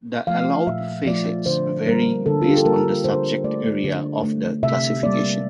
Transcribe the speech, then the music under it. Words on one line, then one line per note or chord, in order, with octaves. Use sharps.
The allowed facets vary based on the subject area of the classification.
F3 A3 F5
A#2 E5
F3 A3 D5
D3 C5
G3 A#3 A#4
D3 A4
F4
G4
A4
G3 A#3 A#4
D3 C5
A3 D5
D3
A3
C3 E5
G3 A#3 D5